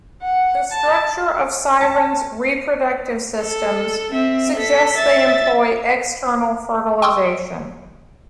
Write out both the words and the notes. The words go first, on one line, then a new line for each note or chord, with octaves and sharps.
The structure of sirens' reproductive systems suggests they employ external fertilization.
F#5
A5
A5
A4
C4 E5
A4 B6
E5 A6
G5 C6 C#6 D#6 E6